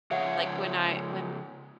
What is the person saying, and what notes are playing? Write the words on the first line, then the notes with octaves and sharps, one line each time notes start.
like, when I when
C#3 F3 C#5 E5 F#5